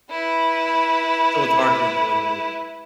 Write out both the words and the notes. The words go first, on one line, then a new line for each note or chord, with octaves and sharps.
Uh, so, it's hard to enjoy the movie.
E4 B4